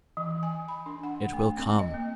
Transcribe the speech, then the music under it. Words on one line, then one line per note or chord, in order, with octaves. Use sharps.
It will come.
E3
G#5
B5
D4
F#5
A3
C4
D#5
A#3